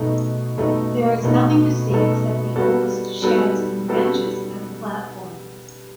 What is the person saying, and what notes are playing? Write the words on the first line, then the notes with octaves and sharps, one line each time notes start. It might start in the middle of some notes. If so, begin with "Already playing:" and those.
There is nothing to see except the oldest sheds and benches at the platform.
Already playing: B2 A3 D#4 A4
B2 A3 D#4 A4
B2 A3 D#4 A4
B2 A3 D#4 A4
G3 B3 F#4 A4
G3 B3 F#4 A4
G3 B3 F#4 A4